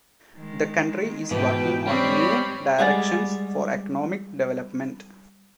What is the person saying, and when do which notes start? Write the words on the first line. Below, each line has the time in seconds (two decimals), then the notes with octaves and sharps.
The county is working on new directions for economic development.
0.38 D#3 G#3
1.31 G#2 B2 E3 B4 G5
1.87 G3 G#3 C4 C#5 B5
2.79 G3 G#3 G#4 F#5 G#5 A6